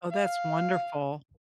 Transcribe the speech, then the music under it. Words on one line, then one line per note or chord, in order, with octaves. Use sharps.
Oh, that's wonderful.
F5